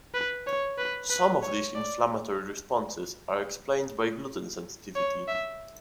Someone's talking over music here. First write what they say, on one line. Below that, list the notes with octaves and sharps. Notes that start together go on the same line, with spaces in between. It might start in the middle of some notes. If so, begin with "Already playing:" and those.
Some of these inflammatory responses are explained by gluten sensitivity.
B4
C#5
B4
B4
C#5
D5
C#5
E5